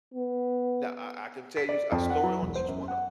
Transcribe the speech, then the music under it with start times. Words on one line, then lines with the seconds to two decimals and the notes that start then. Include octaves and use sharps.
now I I can tell you a story on each one of
0.14 B3
1.57 B6
1.69 D5
1.92 F2
2.10 F#5
2.23 F#3
2.42 E1
2.55 C5
2.68 F#2
2.88 F#5